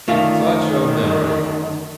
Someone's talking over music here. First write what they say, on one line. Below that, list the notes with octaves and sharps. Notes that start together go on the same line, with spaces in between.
Such a memory!
F#2 D3 D#3 A3 F4 F5